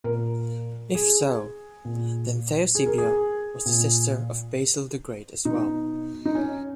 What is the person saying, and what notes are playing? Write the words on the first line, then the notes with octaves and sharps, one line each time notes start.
If so, then Theosebia was the sister of Basil the Great as well.
A#2 A#4
G#4
A#2
G#4
A#4
G#4
A#2
B2 D#4
D#4
C#4